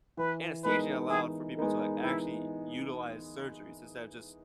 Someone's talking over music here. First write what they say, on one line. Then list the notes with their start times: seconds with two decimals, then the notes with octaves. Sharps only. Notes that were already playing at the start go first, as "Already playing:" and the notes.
Anesthesia allowed for people to, like, actually utilize surgeries, instead of just
0.17 E3 B4
0.64 G#3 B3 D#4 A#4 B4
1.10 E3 G#4
1.57 G#3 B3 D#4 A#4
2.03 E3 E4